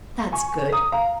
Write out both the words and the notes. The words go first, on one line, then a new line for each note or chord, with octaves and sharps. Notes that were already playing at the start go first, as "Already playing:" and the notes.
That's good.
G#5 C#6
A#5 D#6
F5 A#5